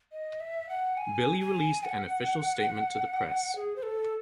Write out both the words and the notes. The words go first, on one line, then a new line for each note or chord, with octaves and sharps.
Billy released an official statement to the press.
D#5
E5
F#5
G#5
G#5
F#5
G#4
C5
A4